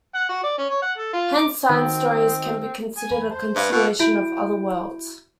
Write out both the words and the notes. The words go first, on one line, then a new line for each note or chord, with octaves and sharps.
Hence "Science Stories" can be considered a continuation of "Other Worlds".
F#5
F#4
D5
C#4
C#5
F#5
A4
F4
D6
D#3 C4 F#4 D#5
G#5
E2 B5
C5 A5
G2 B4 E5 F5
B2 A#3 D4 F4 A4
E4 F#4 E5 B5 G6 D7